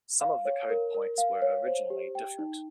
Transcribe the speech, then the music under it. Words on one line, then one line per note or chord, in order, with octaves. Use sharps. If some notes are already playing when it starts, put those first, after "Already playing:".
Some of the code points were originally different.
F5
C#5
A#4
A#4
F5
C#5
C5
G4
G5
D#4